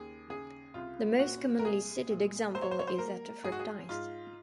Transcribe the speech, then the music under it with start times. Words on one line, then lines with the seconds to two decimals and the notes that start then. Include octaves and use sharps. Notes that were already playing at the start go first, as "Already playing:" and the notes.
The most commonly cited example is that of reptiles.
Already playing: D#2 C#3 G#4
0.30 C#3 G#4
0.74 C2 F4
1.19 A#2 F#4
1.59 A#4
1.65 C2 G#4
2.10 A#2
2.55 F#3 C5
2.62 C#5
2.71 C5
2.79 C#5
2.87 C5
2.98 A#3 A#4
3.43 G#2 G#4
3.52 F#4
3.60 G#4
3.89 G#2 F4